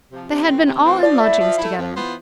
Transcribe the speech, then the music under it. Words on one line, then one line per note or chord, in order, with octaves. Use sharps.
They had been all in lodgings together.
C3 F3
C3
E3 A3 C4
C3
E3 A3 C4
F3 D5
A3 E4 E5
F3
A3 E4
F2
E3 B3 F4 C5